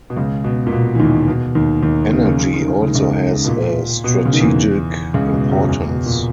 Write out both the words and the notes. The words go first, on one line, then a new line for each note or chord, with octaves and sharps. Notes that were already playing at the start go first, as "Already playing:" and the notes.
Energy also has a strategic importance.
B2
C#2 C#3
B2
A#2
B2
E3
D#2 D#3
B2
D#2 D#3
D#2 D#3
C#3
D#3
C#3
D#3
C#3
D#3
C#3
D#3
C#3
D#3
C#3
D#3
C#2 C#3
B2
A#2
B2
C#3
D#3
E2 E3
C#2 C#3
B2
F#2 F#3
E2 E3
B2
A#2